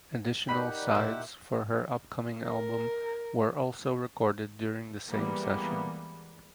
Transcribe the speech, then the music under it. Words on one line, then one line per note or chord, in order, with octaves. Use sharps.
Additional sides for her upcoming album were also recorded during the same session.
D#4 G4 A#4 D5 F#5 B5
A#2 E4
A#4
E3 G3 G#3 A#3 B3